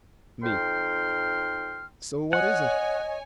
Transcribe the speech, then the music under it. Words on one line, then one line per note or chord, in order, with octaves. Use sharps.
ME: So what is it?
F2 D#4 G5 C6 F6
C#5 D#5 F#5 G#5